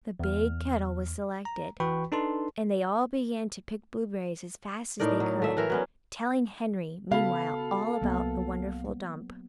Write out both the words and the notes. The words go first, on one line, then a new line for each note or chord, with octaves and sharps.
The big kettle was selected, and they all began to pick blueberries as fast as they could, telling Henry meanwhile all about the wonderful dump.
E2 F6
A#5
E3 F#4 B4 G5 B5 C#6
D4 D#4 A4 B4 A5 C6
A2 D#4 A#4 D5
F#3
A3 E5
E3 A#4 E5
F#3 B3 C#4
C#3 B3 F#4 A4 F5 B5
C2 F#3 A#3 B3